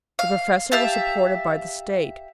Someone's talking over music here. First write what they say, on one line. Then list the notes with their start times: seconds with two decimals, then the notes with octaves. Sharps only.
The professor was supported by the State.
0.19 F5
0.72 G4 E5 F5 A5